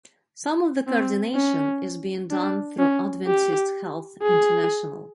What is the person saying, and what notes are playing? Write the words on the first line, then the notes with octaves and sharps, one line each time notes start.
Some of the coordination is being done through Adventist Health International.
C4
C#4
D4
C#4
G4
G#4